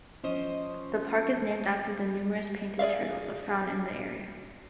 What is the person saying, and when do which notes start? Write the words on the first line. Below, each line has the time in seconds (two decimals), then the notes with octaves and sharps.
The park is named after the numerous painted turtles found in the area.
0.24 F3 C#4 C5 D#5
2.79 G#4 D5 E5 F5